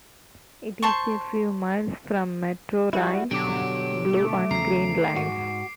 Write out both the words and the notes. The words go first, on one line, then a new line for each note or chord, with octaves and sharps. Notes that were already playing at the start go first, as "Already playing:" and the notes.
It is a few miles from Metrorail's Blue and Green lines.
C5 A5 C6 C#6
G3 E4 F#4
B2 D3 F#3 D4 G4 D6 D7
A3
E2 C#3 A#5 C7
G#2 F#4